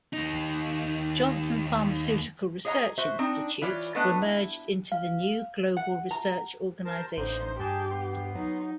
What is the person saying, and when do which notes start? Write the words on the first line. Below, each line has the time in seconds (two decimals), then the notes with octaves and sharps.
Johnson Pharmaceutical Research Institute were merged into the new global research organization.
0.13 D#2 D#4
2.65 G#4 C#5 D#5 F5 A#5
2.97 F#4 C5 E5
3.19 C4 D4 D#4
3.62 E3 F4 C#5 D5
3.95 A3 B3 D4 B4 D#5 A5
4.22 E4
4.92 F5
5.77 F#5
6.11 A#5
6.85 A#4 C5 A5
7.18 A1 D3 D#4 C5
7.60 G2 G4 G#4 A5 G6
7.91 B3 C6
8.35 F#3 D#4